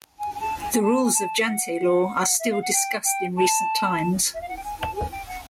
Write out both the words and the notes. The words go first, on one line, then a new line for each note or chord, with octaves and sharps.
The rules of Jante Law are still discussed in recent times.
G#5
G#5
A5
G#5
G#5
A5
G#5
A5
F#5
E5
F5
F#5
G5
G5
A5
E5
F5
F#5
G5
G#5
A5
G#5
G5
F#5